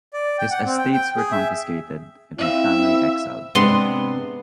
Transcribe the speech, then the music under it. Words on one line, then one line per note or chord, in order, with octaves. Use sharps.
His estates were confiscated and his family exiled.
D5
G5
F#5
C4
G5
G5
G#4
E5
C4 E4 E5 F5
C3 G#3 B3 D4 C6